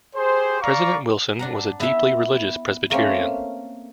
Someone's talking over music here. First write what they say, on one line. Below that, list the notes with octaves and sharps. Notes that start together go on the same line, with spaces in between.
President Wilson was a deeply religious Presbyterian.
G4 G#4 C5
D5 F5 A#5 C#6 D6
D4 F#5 A#5
B3 E4 B4 E5 B5
A3 A#3 C4 C#4